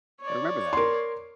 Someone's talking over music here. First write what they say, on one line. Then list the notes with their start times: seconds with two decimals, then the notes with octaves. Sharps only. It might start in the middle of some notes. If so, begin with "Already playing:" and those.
I remember that.
0.21 C#5 D5
0.73 A#4 C6